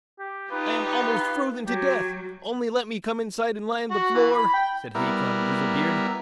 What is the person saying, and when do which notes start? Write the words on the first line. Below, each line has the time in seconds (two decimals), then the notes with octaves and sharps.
I'm almost frozen to death; only let me come inside and lie on the floor', said Hacon Grizzlebeard.
0.19 G4
0.51 D#4 F4 G4 B4
1.67 F#3 G4
3.91 F#4
4.15 E3
4.34 B5
4.54 G5
4.95 G3 B3 E4 A#4